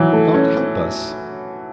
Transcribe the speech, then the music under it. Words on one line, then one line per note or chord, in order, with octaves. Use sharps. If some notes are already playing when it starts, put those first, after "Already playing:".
God help us!
Already playing: E3 F#3
A3
C#4